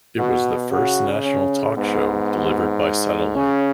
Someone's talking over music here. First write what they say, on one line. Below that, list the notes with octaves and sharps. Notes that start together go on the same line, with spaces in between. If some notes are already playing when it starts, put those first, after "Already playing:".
It was the first national talk show delivered by satellite.
B2 F#4
C#3 F#4
C#4
G#2 B3
C#3 C#4